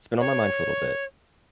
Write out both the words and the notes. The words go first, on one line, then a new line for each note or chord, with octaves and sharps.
it's been on my mind for little bit
C#5